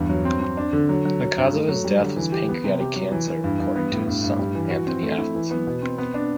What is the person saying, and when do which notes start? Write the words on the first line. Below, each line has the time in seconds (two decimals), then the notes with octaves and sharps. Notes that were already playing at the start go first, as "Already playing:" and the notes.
The cause of his death was pancreatic cancer, according to his son, Anthony Avildsen.
Already playing: E2 G2
0.09 F#3
0.25 C4
0.41 C4
0.57 D4
0.73 D3
0.89 F#3
1.05 F#3
1.21 F#3
1.37 G2
1.53 A3
1.69 F#3
1.84 G3
2.00 D3
2.16 E3
2.32 G4
2.49 B3
2.64 C3
2.80 G4
2.96 F#3
3.12 E3
3.28 E3
3.44 G2
3.60 G2
3.76 B3
3.92 A2
4.07 G2
4.24 G2
4.39 G3
4.55 E3
4.71 F#4
4.87 C4
5.03 A3
5.18 E4
5.35 E3
5.51 B3
5.67 B2
5.82 C4
5.98 B3
6.14 D4